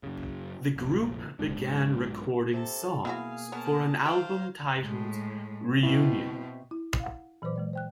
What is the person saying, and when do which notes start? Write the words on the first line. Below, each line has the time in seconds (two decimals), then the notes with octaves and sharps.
The group began recording songs for an album titled "Reunion".
0.03 F#2 C#3
0.76 F1 A#1
1.39 B1 G#2 G#3 D4
2.53 C3 A4
3.05 B2 A#3 B3 E4 F#4 G#4 F5
3.52 B3 A#4 C#5 A5
4.06 A4 C5 E5 F5 G5 A5
4.80 A2 G#3
5.83 B2 C4 E4
6.71 E4
7.00 F5 F#5
7.42 A#2 E3 F#3 B4 C5 D6
7.56 E3 G#3 D5
7.73 C5 G5 F#6